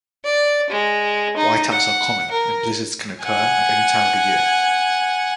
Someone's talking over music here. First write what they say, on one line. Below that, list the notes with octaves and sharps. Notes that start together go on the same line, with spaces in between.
Whiteouts are common, and blizzards can occur at any time of the year.
D5
G#3
D#4
F#5
A#4
F#5 G#5